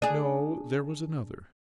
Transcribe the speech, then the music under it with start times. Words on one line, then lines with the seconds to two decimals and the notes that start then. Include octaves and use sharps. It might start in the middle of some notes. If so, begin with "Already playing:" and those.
'No there was another.
0.02 D4 G#4